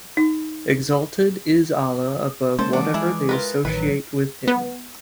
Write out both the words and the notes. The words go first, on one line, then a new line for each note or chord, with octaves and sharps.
Exalted is Allah above whatever they associate with Him.
D#4
G#3 A#3 C#4 A4 C5
E3 D4 F#4 D6
G#3 E4 G#4
F4 A#4 B4
A1 D#3 F#3 B4
B3